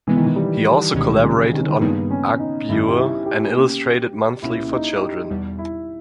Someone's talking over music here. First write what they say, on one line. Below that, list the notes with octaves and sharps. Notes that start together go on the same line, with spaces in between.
He also collaborated on "Aghbyur", an illustrated monthly for children.
B2 E3 G#3 B3
D#3
E3
G3
C#2 B2 D#3 G#3 C#4
C#3
D#3
C#3
D#3
G2 G3 A#3 B3 D#4 G#4
C#4
D#4
G2 D#3 G3 E4
G4
E4
G4
B2 A#3 C#4
C#2 B2 A#3 C#4 E4
D#4
G4
E2 B2 G3
E4